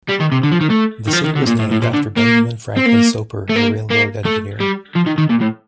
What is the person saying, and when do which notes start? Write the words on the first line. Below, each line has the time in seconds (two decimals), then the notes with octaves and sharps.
The city was named after Benjamin Franklin Soper, a railroad engineer.
0.09 G3
0.20 D#3
0.32 C3
0.43 D3
0.52 F3
0.61 D#3
0.70 A3
1.08 D#3
1.13 F3
1.24 D#3
1.36 D3
1.42 C3
1.47 A#2
1.59 A2
1.71 A2
1.82 A#2
1.93 D3
2.17 A#3
2.77 C4
2.86 A#3
3.49 A3
3.56 A#3
3.91 A#3
4.26 A3
4.60 G3
4.95 F3
5.06 D#3
5.18 D#3
5.30 A#2
5.41 A2